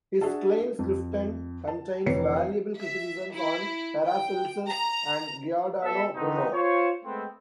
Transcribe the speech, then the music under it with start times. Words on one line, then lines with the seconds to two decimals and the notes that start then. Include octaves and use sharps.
His "Kleine Schriften" contains valuable criticisms on Paracelsus and Giordano Bruno.
0.21 D4 F#4 G#4 E5 A5
0.79 F2
1.68 A5
2.06 F1 E3 C#5 C7 C#7
2.81 E5
3.34 E4
4.06 G5
4.69 A#5
5.82 B3 A4 E5
6.15 E2 E3 A3 B3 C4 D#4
6.51 F4 C5 C#5
7.05 G#3 A3 B3 C4